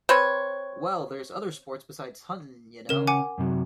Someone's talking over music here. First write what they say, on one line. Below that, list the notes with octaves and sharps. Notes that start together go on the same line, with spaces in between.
Well, there's other sports besides huntin', ya know!
C4 B4 C#5
C#3 C#4 A#4 E7
F#5 G#5 D6
F#2 C3 F#3